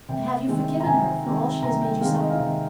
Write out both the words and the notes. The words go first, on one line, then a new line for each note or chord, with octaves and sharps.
"And have you forgiven her for all she has made you suffer?"
C3 G5
D#3 G#3 C4
A#5
C3 G#5
D#3 G#3 C4
C3 A#5
G5
D#3 G#3 C4 F5
D#5
F5
C3 D#5